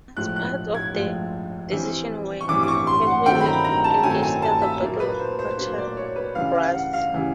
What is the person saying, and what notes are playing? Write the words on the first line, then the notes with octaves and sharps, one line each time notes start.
Parts of the division were heavily engaged at the Battle of Quatre Bras.
A2 F3 G#3 F#6
F#6
G#6
A2 F3 G#3
E3 G3 C4
C#6
E3 G3 C4 D6
D6
C#6
C6
F#5
D#3 F#3 A3 C4 G5
B5
A#5
A#5
A5
D#3 F#3 A3 C4 G#5
G#5
A5
E5
A#2 F#3 A#3
B4
C5
C5
A#2 F#3 A#3
D5
C#5
B4
C#3 E3 G3 F5
F5
F#5
F5
C#3 E3 G3